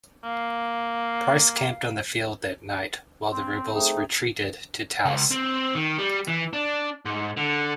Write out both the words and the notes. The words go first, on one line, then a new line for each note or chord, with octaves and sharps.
Price camped on the field that night while the rebels retreated to Taos.
A#3 F5
C4 C6
A3 C4 D#4 G#4 D#6
C#2
C4
D#3
G3
E3
D4
G#2
D3